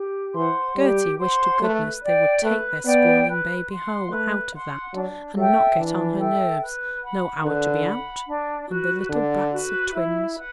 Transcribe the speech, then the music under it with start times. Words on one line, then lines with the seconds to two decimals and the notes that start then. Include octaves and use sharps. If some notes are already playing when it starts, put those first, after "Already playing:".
Gerty wished to goodness they would take their squalling baby home out of that and not get on her nerves, no hour to be out, and the little brats of twins.
Already playing: G4
0.35 E3 C5 F#5 C6
0.76 G3 G4
1.19 C5 F#5 C6
1.60 A3 B4
2.02 D5 G5
2.43 A3 B4
2.85 B3 D5 G5
3.26 B4
3.69 F#5 C6
4.10 A3 B4
4.51 F#5 C6
4.93 F#3 D4
5.34 F#3 A4 E5 G5
5.76 E3 D4
6.18 A4 E5 G5
6.60 B4
7.02 F#5 B5
7.43 D3 B4
7.84 F#5 B5
8.26 D4
8.68 F#4 B4
9.09 D3 D4
9.51 F#4 B4
9.93 E4
10.34 B4 F#5